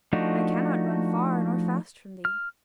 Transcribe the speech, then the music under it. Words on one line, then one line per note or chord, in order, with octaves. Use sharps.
I cannot run far or fast from thee.
F3 A3 D4 D#4 F#4
F6